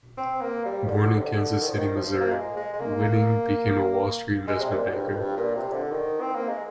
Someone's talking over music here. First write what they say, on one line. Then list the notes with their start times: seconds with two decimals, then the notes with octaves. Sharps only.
Born in Kansas City, Missouri, Wittig became a Wall Street investment banker.
0.17 C4
0.41 A#3
0.65 G3
0.85 D#3
0.89 D3
1.18 C3
1.24 D3
1.61 D#3
1.69 F3
1.77 D#3
1.96 F3
2.21 A#3
2.32 G#3
2.57 G#3
2.73 G#3
2.80 A#3
3.03 A#3
4.47 G#3
4.60 C3
4.71 A#2
4.88 G#2
4.95 G2
5.08 F2
5.19 G2
5.37 A#2
5.55 C3
5.73 D3
5.91 D#3
6.21 C4
6.35 A#3
6.49 G#3